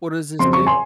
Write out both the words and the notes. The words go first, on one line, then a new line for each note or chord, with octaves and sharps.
What does this do?
F2 C#3 F#3 C4 C6
C#6
G#5 C6